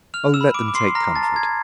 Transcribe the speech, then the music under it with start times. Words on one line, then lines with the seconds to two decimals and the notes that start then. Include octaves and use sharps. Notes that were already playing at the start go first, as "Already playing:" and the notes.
Oh let them take comfort!
0.14 F6 F7
0.34 E6 E7
0.41 B5
0.54 D6 D7
0.68 D6
0.75 C6 C7
0.95 A#5 F6 A#6
1.16 A5 A6
1.23 A#5
1.36 G#6